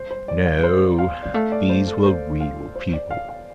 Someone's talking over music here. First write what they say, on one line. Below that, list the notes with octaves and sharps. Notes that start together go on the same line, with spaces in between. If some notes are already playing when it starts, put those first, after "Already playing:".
No, these were real people.
Already playing: G3 C5
C5
D5
F5
C5
F5
G3 D5
A3 F5
D5
C5
A4
C5
F5
C5
D5
F5
F5